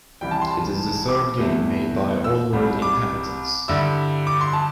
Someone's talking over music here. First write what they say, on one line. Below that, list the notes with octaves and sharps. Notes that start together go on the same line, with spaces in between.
It is the third game made by Oddworld Inhabitants.
C2 C3 E3 G3 G5
A5
C6
A5
D6
E2 C3 A3 E4
E6
C2 C3 G3
D6
G2 D3 G3 E4 E6
D6
C6
A5